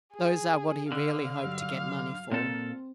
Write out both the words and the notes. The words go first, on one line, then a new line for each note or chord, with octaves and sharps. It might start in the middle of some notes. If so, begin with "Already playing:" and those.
Those are what he really hoped to get money for.
G#4
D3 F5
G2 F#3
A#2 C4 A4